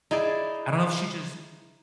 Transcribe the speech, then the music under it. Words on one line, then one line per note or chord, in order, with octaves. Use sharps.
I don't know if she, just
D#4 E4 G#4 D5